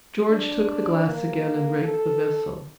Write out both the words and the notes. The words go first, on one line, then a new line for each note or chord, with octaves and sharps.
George took the glass again and raked the vessel.
D4
A#3
A4